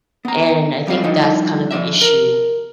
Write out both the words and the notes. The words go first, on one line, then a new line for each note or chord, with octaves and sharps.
And I think that's kind of the issue
B3 A#5
F2 G3 C4 F5
F3 G3 D#4 E4
F3 D5 E5
A#4